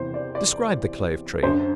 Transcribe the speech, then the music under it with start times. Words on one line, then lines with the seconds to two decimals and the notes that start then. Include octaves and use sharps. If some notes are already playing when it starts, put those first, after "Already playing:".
Describe the Clove Tree.
Already playing: E2 C3 E3 C5
0.14 D5
0.35 D5
1.43 F#2 C5
1.46 D3